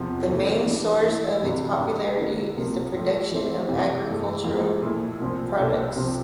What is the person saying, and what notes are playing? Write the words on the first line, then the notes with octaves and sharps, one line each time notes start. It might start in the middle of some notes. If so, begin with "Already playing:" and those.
The main source of its popularity is the production of agricultural products.
Already playing: E2 C3 F3
D2 C3 E3 A3
E3 G3 D4
E3 A3 E4
D2 C3 E3
A2 G3 D4
D3 G3 A#3 E4
C2 C3 F3 A#3
A2 F3 A3
E3 A3 C4 G4
F2 C3 E3 G3
G2 E3 A3
F2 E3 G3 A#3 F4
A#2 F3 A3 E4
C2 A#2 F3 C4
C2 A#2 G3 D4 A4
C2 C3 F3 C4 G4